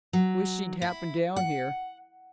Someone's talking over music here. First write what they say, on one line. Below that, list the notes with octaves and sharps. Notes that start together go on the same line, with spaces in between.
Wish she'd happen down here.
F#3
E4
F#5